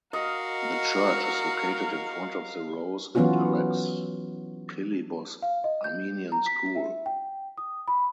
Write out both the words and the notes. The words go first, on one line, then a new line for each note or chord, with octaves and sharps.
The church is located in front of the Rose and Alex Pilibos Armenian School.
F#4 A#4 D#5 F5
E3 F#3 B3 C#4 F4 F#4
F5
D#5
G6
A#5
B6
E5
G5
D#6
B5